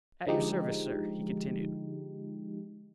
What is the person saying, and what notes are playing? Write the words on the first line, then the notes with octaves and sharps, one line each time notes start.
"At your service, sir," he continued.
D3 F3 G#3 D#4 G4